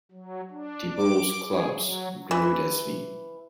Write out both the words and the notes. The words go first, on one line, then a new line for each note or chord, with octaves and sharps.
De Boules clubs Grude, Sv.
F#3
D4
D6
G#4
F#3
E3